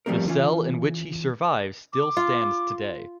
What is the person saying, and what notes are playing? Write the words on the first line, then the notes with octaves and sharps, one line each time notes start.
The cell in which he survived still stands today.
F3 G3 A3 C4 A#4
E3 C#4 F4
D6
F4